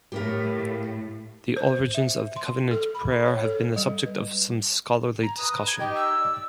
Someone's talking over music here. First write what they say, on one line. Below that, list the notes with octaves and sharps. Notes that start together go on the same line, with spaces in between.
The origins of the covenant prayer have been the subject of some scholarly discussion.
A2 G4 A#4 F5
C5
E5
C6
A4
B5
C#5
A4
G3
B4
G#5 A#5
B4 A#5 D#6
G#6
D#4 G4 D#5 G5
E6
D5